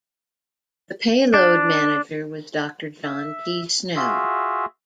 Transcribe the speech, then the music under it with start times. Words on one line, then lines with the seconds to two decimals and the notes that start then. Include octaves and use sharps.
The Payload Manager was Doctor John T. Snow.
1.34 D4
3.03 E5
3.96 F4 F#4 G#4 E5